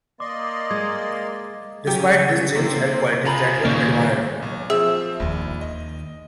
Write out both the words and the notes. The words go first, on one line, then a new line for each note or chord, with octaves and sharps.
Despite this, James held qualities that were admired.
A#3 D5 D#5 C6 D6
G#3 G#6
C#3 F#3 G4
C3 A#3 C4
F4 G#4 G#5 A#5 B5
D#2 A#2 C#3 A#3 C#4 D#4 D5
B1
F3 C4 G#4 E5
A#1 D#2 A#3
D#5